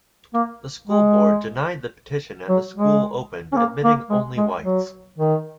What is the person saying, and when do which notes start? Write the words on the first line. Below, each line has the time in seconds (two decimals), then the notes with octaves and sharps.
The school board denied the petition and the school opened, admitting only whites.
0.34 A#3
0.88 G#3
2.49 F#3
2.77 G#3
3.52 C#4
3.56 A#3
3.84 A#3
4.10 G#3
4.37 G#3
4.64 F#3
5.18 D#3